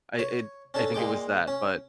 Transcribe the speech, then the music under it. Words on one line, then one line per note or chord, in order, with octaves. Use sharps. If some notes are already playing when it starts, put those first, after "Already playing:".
I, i I think it was that, but
C#5
C#4 D4 A4
A#2 G#3 G5 D6
C#4